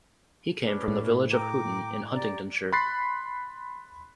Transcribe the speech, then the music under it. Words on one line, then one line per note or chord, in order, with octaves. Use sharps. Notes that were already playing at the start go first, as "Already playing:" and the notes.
He came from the village of Houghton in Huntingdonshire.
C#4 D4 B4
A2
G5 A#5 D6
G4 D5 A#5
B5 C6 F#6 A6 B6 C7